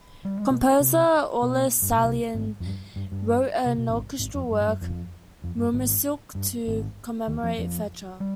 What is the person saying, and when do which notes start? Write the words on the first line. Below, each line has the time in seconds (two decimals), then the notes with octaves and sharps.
Composer Aulis Sallinen wrote an orchestral work "Mauermusik" to commemorate Fechter.
0.25 G3
0.38 G#3
0.50 B2 B3
0.80 C3 C4
1.42 B2 B3
1.82 G2
1.90 G#2
1.96 B2
2.03 C2 C3
2.34 G#1 G#2
2.60 F2
2.66 G2
2.96 G2
3.12 G2
3.66 C3
3.78 B2
3.89 G#1 G#2
4.19 G#1 G#2
4.35 F2
4.51 G2
4.61 G#2
4.67 G2
4.81 F2
5.44 F2
5.58 G2
5.73 G#1 G#2
6.35 G2
6.67 G#1 G#2
7.27 D#2 D#3
7.43 F2 F3
7.58 F2 F3
8.20 G3